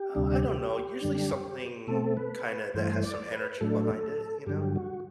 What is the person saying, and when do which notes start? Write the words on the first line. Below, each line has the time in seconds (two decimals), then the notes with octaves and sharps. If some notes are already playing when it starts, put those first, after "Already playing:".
uh, I don't know, usually, something kinda that has some energy behind it, you know?
Already playing: G4
0.15 D2 C3 G3 D4
1.01 F#2 D3 G3 D4
1.87 B2 A3 C4 A4
2.17 B4
2.46 B4
2.74 G2 E3 A3 C5
3.03 D5
3.32 B4
3.61 A2 F#3 A3 D4 A4
4.46 G2 D3 F#3 G4
4.76 F#4